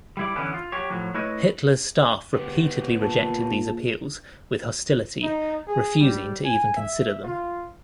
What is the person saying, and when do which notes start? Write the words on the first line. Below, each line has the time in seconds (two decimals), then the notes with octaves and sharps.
Hitler's staff repeatedly rejected these appeals with hostility, refusing to even consider them.
0.17 G3 E4 D5
0.36 D3 E3 B3 C#4 E4
0.54 F4
0.72 F#3 G4 C#5
0.90 A2 F3 F#3
1.14 A3 E4 B4 C#5 D#5
2.35 B3 G4
3.01 A#2 A5
5.22 D#4
5.67 G#4
6.00 G3
6.45 G#5
6.77 E5
7.23 F4